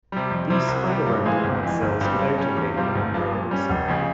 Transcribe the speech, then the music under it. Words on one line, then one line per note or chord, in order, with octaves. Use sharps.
These spread around the plant cells without invading the membranes.
C3 G3
F2
C3 G3 C4 E4
C2
C3 G3
G2
E3 G#3 C4 F4
G1
F2 E3
G1
G2 G3 C4
G2
G3 C#4
E2
C3 G3 C4 F4
G1
G2 F3
A#2
G3 C#4
F1
F2 C#3